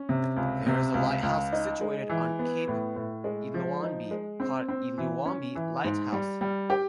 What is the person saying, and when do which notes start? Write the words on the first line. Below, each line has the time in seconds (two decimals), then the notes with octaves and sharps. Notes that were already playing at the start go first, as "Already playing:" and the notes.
There is a lighthouse situated on Cape Eluanbi, called Eluanbi Lighthouse.
Already playing: C#4
0.09 C3
0.36 C#2
0.66 C3
0.94 C#2
1.23 C#2
1.52 D#4
1.81 G#3
2.10 E3
2.39 B3
2.68 A2
2.96 A2
3.24 G#3
3.54 F3
3.83 D#4
4.11 G#3
4.40 C4
4.69 C4
4.98 E3
5.26 C#4
5.55 E3
5.84 G#2
6.12 G3
6.41 G3
6.70 G4